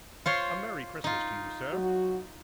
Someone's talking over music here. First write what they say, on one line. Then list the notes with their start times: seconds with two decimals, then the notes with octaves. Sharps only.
A merry Christmas to you, sir!'
0.26 F4 C5 C#5
1.04 D#4 F4
1.72 F#3 F#4